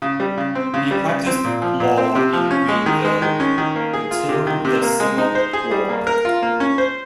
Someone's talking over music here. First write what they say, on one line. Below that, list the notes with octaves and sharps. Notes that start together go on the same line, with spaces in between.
He practiced law in Greenville until the Civil War.
C#3
G3
C#3
C4
C#3
G3
C#3
C4
A#2
F3
A#2
C4
C3
F3
C#4
G#3
D#3
G#3
D#3
C#4
D#3
A#3
G#4
F4
C3
D#3
C3
A#3
G#3
D#4
C5
G#4
G3
A#3
A#4
F4
A#3
C#4
C5